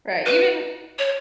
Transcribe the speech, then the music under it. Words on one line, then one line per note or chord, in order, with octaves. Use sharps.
Right, even
B4
C#5